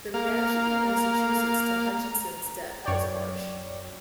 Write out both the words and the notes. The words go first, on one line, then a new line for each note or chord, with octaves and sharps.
The reaction in Massachusetts to Hutchinson's death was harsh.
A#3 F5 A#5
F#2 C#5 D5 G5